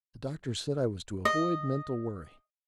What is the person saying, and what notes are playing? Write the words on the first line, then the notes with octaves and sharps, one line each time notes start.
The doctor said I was to avoid mental worry.
D#5